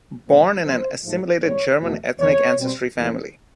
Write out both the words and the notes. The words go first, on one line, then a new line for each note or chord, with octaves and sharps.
Born in an assimilated German ethnic ancestry family.
C2 A#2 F3 G#3 C4
A#2 F3 G#3 B3 C5
G#2 F3 A3
G#2 E3 G3 C4 C#5
E2 B2 F#3 A3
E2 C3 E3 C#5
B2 G3 C4
E2 C#3 E3 A3 C#4